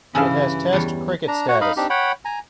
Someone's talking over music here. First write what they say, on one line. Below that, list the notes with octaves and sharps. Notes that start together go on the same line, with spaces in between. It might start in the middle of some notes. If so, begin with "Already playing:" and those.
It has Test cricket status.
G2 C#3 E3 G#4 A4 F5
E2 G3 C#5
D4 A#5
F#4 C#5 F#5
D#4 D#5 F5 B5
C4 D4 D#4 G4
C#5 F#5 G5 B5
G#5 A#5